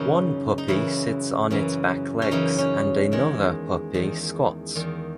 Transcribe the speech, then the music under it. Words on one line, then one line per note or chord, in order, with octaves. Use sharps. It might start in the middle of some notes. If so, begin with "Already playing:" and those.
One puppy sits on its back legs and another puppy squats.
Already playing: F#2 C#3 E3 D#4
D#4
F#2 C#3 E3 E4
F#2 C#3 E3
C#4
F#2 C#3 E3 D#4
C#4
E2 D#3 G#3
E2 D#3
E2 D#3